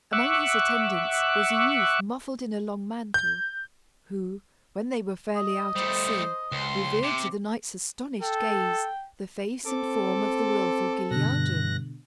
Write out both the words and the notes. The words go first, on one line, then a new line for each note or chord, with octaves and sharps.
Among his attendants was a youth muffled in a long mantle, who, when they were fairly out at sea, revealed to the knight's astonished gaze the face and form of the wilful Guilliadun.
E5 F#5 C#6 D6 E6 F#6
G6
D#5
G3 A3 C5
C#2 C6
C3 D6
A4 G5
C4 A4 D6
G2 B2 D3 F#6 A#6